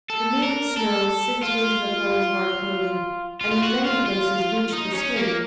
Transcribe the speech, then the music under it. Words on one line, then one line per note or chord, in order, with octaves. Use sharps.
The mealy snow sifted into the folds of our clothing and in many places reached the skin.
A4
A#4
A4
F4
F4
F4
F#4
F4
F4
D#4
C#4
A#3